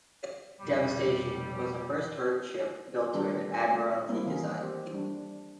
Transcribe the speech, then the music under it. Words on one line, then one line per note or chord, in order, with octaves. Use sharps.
"Devastation" was the first turret ship built to an Admiralty design.
F1 B2 G3
D#3 G3 D4 G4 A4 B4
A3
G3 A#3 C4 E4
D#3 E3 C4 G#4
G4 C5
G3 D4